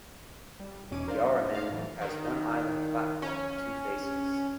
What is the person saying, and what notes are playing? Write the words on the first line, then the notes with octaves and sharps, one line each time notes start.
Yarraman has one island platform with two faces.
G3
G#1 E2 B2 C#4 D6 D#7
A#4 C5 D5 F5
F#2 C#3 B3 C#4 D4
A3 F5
A2 D3 E3 F#3
D#3
C#4